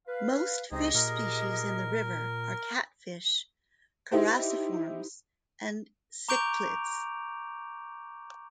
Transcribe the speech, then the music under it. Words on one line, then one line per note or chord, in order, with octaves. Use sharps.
Most fish species in the river are catfish, characiforms and cichlids.
B4 F5
C#2 C4 D#4 G4 G#4 D#5
A#2 A#4
D#4 E4 G4 C5
A#5 C#6 D6 G6 D7 F7